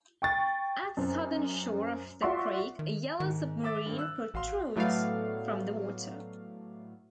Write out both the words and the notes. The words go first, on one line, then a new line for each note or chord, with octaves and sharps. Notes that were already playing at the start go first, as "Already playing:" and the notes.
At southern shore of the creek, a yellow submarine protrudes from the water.
G5 C#6 A6
F#2 C4
F4 F#4 D5 E5 C6 C#6
D#3
G#2 D#3
E5 D6 A6
A#1 G2
E6 F#6
A1 F#4 F5 C6
A2 F#3 A3 B3 D5 F5